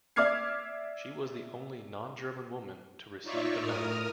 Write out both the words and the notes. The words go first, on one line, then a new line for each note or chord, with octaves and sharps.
She was the only non-German woman to receive the medal.
D5 E5 D6 F6 G#6 C7
D#4 F4 C#5 D5 E5 C#6
A2 A#4 D#6 F6